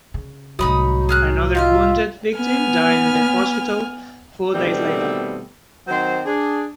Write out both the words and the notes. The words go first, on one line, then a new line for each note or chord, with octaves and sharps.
Another wounded victim died in the hospital four days later.
C#3
C2 A2 F#3 D#4 B5 D#6
G#4 F6 F#6
F4 D#5 E5 F6
B3 G#5 F6
B2 D#3 G3 A3 B3 C4
D#3 F#3 C4 C5
D4 G#4